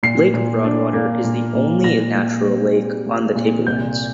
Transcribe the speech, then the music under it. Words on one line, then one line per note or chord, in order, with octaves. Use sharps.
Lake Broadwater is the only natural lake on the tablelands.
A#2 C7
A#2
D4
A#3
A#2
A#2
A#2 A#6
A#2
C4
G3
A#2
A#2
C2 G6